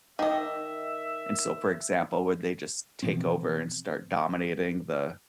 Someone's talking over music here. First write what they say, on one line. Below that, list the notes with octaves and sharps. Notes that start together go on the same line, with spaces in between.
and so for example, would they just take over and start dominating the,
D#3 D#5 E5
B2 E3 F3 C4